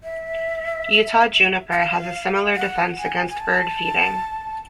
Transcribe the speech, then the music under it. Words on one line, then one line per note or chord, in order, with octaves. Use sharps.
Utah juniper has a similar defense against bird feeding.
E5
F#5
F5
F#5
G#5
G#5
A5